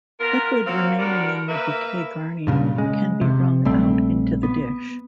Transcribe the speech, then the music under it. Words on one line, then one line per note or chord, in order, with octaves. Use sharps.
Liquid remaining in the bouquet garni can be wrung out into the dish.
B3 F4 A#4
A#3 C4 F#4 C#5 F5
D3 G3 F#4 A#4
A#3 A#4 B4 E5
G2 A#2 C#3
C#3 G#3
C3
A#1 G3 A3 C4
B3